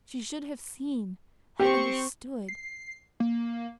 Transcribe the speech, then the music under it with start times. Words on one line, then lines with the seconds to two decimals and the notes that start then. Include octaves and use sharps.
She should have seen--have understood.
1.60 C4 G4 C#6
2.49 C7
3.20 A#3